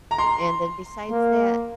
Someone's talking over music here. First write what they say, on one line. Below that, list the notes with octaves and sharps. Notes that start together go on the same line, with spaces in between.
And then besides that,
A#5
C6
A#3